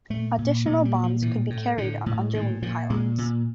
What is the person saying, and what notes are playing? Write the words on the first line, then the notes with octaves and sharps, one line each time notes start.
Additional bombs could be carried on underwing pylons.
A#2 A3
A#2
A#2 A3
G3
A#2
F3
A2 E3
A2
A2 D3
A2
A#2 D#3
A#2 F3
A#2 G#3
A#2